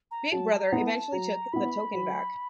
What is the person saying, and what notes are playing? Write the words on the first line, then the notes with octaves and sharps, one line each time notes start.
Big Brother eventually took the token back.
A#5
F#3 A5
A#5
B3 E4
A5
F#3 A#5
B3 E4 B5
F#3